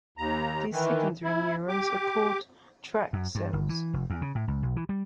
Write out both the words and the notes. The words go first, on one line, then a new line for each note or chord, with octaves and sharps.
These secondary neurons are called "tract cells".
D#2 A#5
D#3 E3
E4
G4 D6
F#2
G2
G1
E3
F1
E2
C#3
A2
C#2
B1
E3
G3